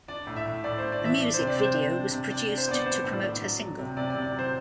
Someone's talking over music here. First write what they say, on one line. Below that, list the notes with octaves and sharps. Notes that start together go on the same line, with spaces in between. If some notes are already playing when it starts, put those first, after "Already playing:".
A music video was produced to promote her single.
D4 D5
A2
E5
A2
A2 D5
D4 C5
D5
E3 E5
D4 D5
C3 C5
D5
C3 C5
D4
D4
C3
D4 D5
D4
C5
B3 D5
D4 C5
A2
D5
D4
F#3
F#3
C3
C3 D5
D5
C3
D5
F#3
C5